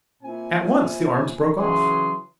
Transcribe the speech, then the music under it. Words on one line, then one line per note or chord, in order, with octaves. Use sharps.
At once the arms broke off.
A#2 C4 E4 G#5
C#3 E3 F#3 G#4 C6